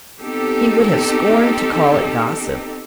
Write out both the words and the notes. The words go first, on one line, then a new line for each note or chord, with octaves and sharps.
He would have scorned to call it gossip.
B3 C4 D#4 G4 A4